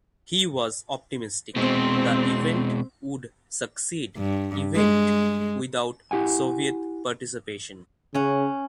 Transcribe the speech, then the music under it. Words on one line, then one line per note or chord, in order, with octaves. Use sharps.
He was optimistic the event would succeed event without Soviet participation.
B2 G#3 C4
G2
G#3
E4 G4 F#5 G#5
C#3 C#4 F#5